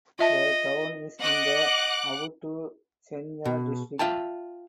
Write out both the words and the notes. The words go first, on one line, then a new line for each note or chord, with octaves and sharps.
The town is in the Awutu Senya district.
F4 D#5 E5 A5
D#5 F#5 D6 F#6
B2
F4 E5 G5 A5